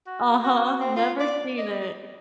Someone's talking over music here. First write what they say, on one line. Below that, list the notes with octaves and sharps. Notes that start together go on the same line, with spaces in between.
Uh-huh. Never seen it.
F#4
F#4
C4
F4
D5
D#5